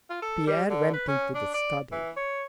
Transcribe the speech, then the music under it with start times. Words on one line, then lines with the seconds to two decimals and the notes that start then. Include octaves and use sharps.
Pierre went into the study.
0.10 F4
0.22 A4
0.47 G3
0.70 D3
0.94 B4
1.08 C#4
1.35 D4
1.54 D5
1.92 E3
2.17 C#5